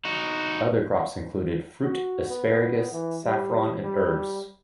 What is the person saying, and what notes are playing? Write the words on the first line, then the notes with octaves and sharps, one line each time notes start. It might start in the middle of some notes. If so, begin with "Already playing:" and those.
Other crops include fruit, asparagus, saffron and herbs.
D#4 F#4
F#4
B3
E3
G3
G3